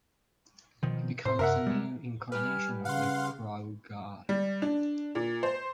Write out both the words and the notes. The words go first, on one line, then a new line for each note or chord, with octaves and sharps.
He becomes the new incarnation of the Crow god.
B2 D#3 F3
A2 C5
F#2 C3 A#4 E5 F#5
G3 G#3
G3 G4 B4 G#5 F6
C#3 F5 F#5 C6
G3
D4
A#2
C5